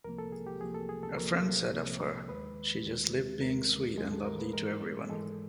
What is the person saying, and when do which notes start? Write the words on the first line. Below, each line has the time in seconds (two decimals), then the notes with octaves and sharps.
A friend said of her, She just lived being sweet and lovely to everyone.
0.04 C2 C3 F3 A#3 A#4
0.18 A4
0.32 G#4
0.47 G4
0.61 C2 C3 F3 A#3 G#4
0.74 A4
0.89 G#4
1.03 A4
1.16 C2 C3 F3 A#3 A#4
1.73 C2 C3 F3 A#3
2.29 D#2 D#3 G#3 B4
2.85 D#2 D#3 G#3
3.41 D#2 D#3 G#3 A#4
3.98 D#2 D#3 G#3 G#4
4.12 A4
4.26 A#4
4.39 B4
4.53 G#2 E3 G#3 A#4
5.10 G#2 E3 G#3 A4